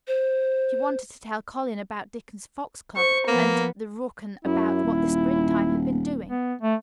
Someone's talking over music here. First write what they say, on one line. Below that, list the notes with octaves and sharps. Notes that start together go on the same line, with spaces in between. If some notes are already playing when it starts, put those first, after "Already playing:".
She wanted to tell Colin about Dickon's fox cub and the rook and about what the springtime had been doing.
C5
C5 C#6
F3 A#3 B3
F#2 E4
D#1
B3
A3